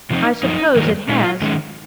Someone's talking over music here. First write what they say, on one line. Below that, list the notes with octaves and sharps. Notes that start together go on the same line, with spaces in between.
I suppose it has.
C3 F3 C4 D#4
F#2 F3 D#4
F2 D#3 F#3 A#3
A#2 G#3 D#4 F4
D#3 G#3 C#4